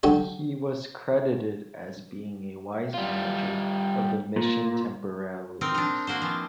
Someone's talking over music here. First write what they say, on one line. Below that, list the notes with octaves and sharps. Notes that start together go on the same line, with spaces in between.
He was credited as being a wise manager of the mission temporalities.
D3 F#3 F#4 G4
G3 F4
A#2
C4 D#4 A#4
D4 D#4
A#3 F#4 C5
E3 F3